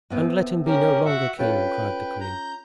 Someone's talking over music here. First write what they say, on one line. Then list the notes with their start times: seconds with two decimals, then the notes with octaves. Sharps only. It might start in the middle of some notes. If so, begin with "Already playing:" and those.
"And let him be no longer king," cried the queen.
0.10 A2 B3 C4
0.66 C#4 G4 A#4
1.05 F#4 E5 F#5
1.39 C#4 F4 A4 B4 G5
2.20 A#5 G6